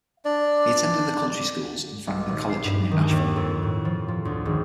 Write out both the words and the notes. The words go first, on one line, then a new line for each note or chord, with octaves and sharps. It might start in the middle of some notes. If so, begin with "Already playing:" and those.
He attended the country schools and Franklin College, near Nashville.
D4 D5
B1
D#1
C7
G2
D#3
D#2
F2
A2
F3
F3
D2
G#1